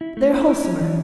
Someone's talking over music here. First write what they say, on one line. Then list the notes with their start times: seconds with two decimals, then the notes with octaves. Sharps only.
They're wholesomer.
0.01 E4
0.17 A3
0.33 E4
0.48 E4
0.64 C#4
0.81 E3